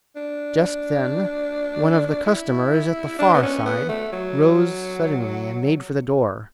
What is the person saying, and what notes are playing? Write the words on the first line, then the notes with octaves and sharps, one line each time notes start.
Just then one of the customers at the far side rose suddenly and made for the door.
D4
E4
D4
B3
C#4
B3
A3
F#3